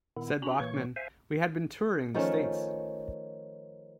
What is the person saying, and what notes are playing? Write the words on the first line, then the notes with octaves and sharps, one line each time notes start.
Said Bachman: We had been touring the States.
A#2 D#3 B3 E4
C#4 D4 F#4 A#5 B5
A#2 E3 A#3 C#5 C#6
C5 E5 F5 G#5
D#3 F3 A3 C#4